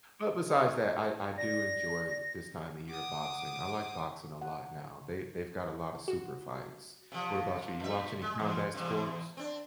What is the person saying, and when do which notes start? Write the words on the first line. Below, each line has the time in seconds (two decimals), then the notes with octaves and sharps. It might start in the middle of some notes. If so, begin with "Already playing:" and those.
but besides that, I I do enjoy this time of year, of boxing I like boxing a lot now, they they've got a lotta super fights. What about you? You watch any combat sports?
1.38 D5 A#6
2.88 F#5 D6 D#6
4.41 F#5
6.08 F#4
7.12 C3 F3
7.80 A#2 E5
8.22 G#3
8.39 E2
8.74 E2 C3
9.37 C4 D4